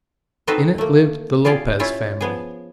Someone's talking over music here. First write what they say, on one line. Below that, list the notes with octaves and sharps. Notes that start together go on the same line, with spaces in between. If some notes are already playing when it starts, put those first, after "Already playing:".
In it lived the Lopez family.
C4 D#4 F#4 A4 B4 C5
A3 A#3
F4 G4 G#4 D5 F5
C#4 E4 F4 E5
F3 B3 G#4